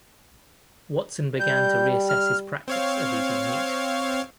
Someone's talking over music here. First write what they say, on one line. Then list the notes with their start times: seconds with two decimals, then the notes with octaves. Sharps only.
Watson began to reassess his practice of eating meat.
1.40 G3 G6
2.09 F6
2.68 C4 C#5 F5